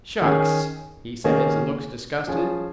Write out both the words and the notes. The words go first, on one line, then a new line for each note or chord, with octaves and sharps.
"Shucks!" he says, and looked disgusted.
D#3 C#4 G#4
D#3 A#3 C#4 G#4
F3 C#4 F4 G#4